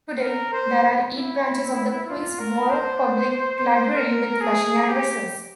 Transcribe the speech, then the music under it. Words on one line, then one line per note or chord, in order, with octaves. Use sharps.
Today, there are eight branches of the Queens Borough Public Library with Flushing addresses.
A#4
C5
E4
F4
A#4
C5
A#4
G#4
G4